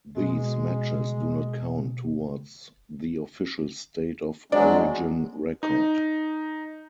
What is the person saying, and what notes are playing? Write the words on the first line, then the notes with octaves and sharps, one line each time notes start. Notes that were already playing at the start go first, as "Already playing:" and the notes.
These matches do not count towards the official state of origin record.
B2 G#3
F#3 G#3 D4 D5
D#4